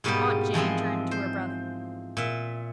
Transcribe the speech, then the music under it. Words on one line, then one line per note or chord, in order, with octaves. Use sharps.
Aunt Jane turned to her brother.
G#2 B2 G3 A#3 B3 G4
E3 F3 G#3 C4
C5
A#2 E5